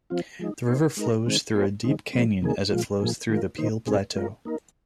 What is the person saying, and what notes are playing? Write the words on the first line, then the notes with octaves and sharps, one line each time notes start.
The river flows through a deep canyon as it flows through the Peel Plateau.
F3 C4 F4
F3 G#3 D#4
A#3 D#4 C5
G#3 D#4 A#4
D#3 G#3 C4
A#3 F4 G#4 C5
D#3 G#3 C4 D#4
F3 G#3 C4
C3 D#3 A#3 G#4
A#2 F3 G#3 F4
A#2 F3 A#3 G#4
D#3 G#3 F4 A#4
D#3 A#3 D#4 C5
A#2 G#3 C4 D#4 G#4
G#3 F4 A#4
A#3 D#4 A#4